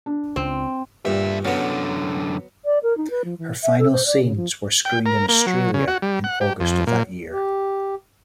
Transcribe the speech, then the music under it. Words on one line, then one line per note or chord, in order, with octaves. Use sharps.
Her final scenes were screened in Australia in August of that year.
D4
C#2 C4
G2 A#2 D3 E5
F#2 D3 F#3 B3
D5
A#4
D#4
B4
F3
E3
E5
A4
C5
D5
C#3
F3
G5
A#4
A#3
F#3
C#3
F#4
G3
F#5
G4
F2
A#2
G4